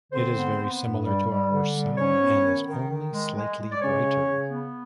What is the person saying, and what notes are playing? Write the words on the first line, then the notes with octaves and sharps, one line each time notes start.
It is very similar to our Sun and is only slightly brighter.
D3 C4 C5
B3
B3
G2
G3
G3
D3
G3
G#2 C#4 C#5
B3
D#3
D#3
D#3
G#3
G#3
G#3
D5
C#3 C#4 C#5
C#3
C#3
B3